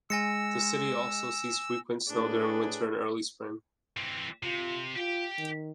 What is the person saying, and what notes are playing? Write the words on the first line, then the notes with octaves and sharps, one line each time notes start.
The city also sees frequent snow during winter and early spring.
G#3 G#5 E6 A#6 C#7
A2 D4 G#4 B4
E3 C4
C3 F4
F4 G4 G5
D#3